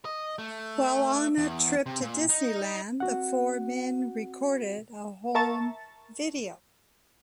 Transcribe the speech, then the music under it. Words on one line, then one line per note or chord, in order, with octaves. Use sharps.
While on a trip to Disneyland, the four men recorded a home video.
D#5
A3
E2
C3
A#2
D#4
C4 F#4 F#5
A#4 E5 A5 A#5 C#6 A6